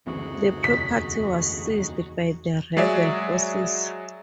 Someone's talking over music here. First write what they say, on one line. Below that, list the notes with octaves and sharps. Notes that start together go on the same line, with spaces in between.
The property was seized by the rebel forces.
F#1 D2 E3 C4 D#4 F#4 G#4
E2 C3 B6
F#3 G#3 G#4 D5 E5